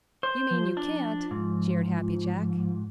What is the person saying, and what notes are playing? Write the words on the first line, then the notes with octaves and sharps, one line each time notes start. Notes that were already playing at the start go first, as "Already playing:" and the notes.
"You mean you can't!" jeered Happy Jack.
C5
F3
D4
G#2